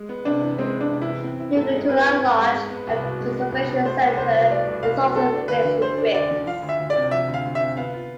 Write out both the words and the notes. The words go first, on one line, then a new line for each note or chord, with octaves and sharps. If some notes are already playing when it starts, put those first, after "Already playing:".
Ukutula Lodge and conservation center is also based in Brits.
Already playing: G#3
B3
C3 D4
E3
G#3 C4
B3
D4
C3
E4
E3
C4
E4
G#2 A4
G#3
C4 B4
E4
G#2
G#3
G#3
B3
C2
B2
G#3
B3
C2
B2
A3 C5
C2
C2 C5
B2
A3 D5
C2
C2 F5
B2
A3 A4
D4
D2 B4
D3
A3 C5
D4
D2 D5
D3
F3 F5
D2
E5
D2
D5
C3
F3 E5
D2
F5
D2
E5
C3
B3 F5
F4